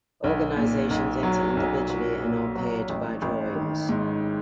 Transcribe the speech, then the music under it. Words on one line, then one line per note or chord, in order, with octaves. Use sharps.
Organizations enter individually and are paired by drawings.
B1
A#2
B1
F#3
B1
F#3
A#2
F#3
A1
A1
D#3
G#2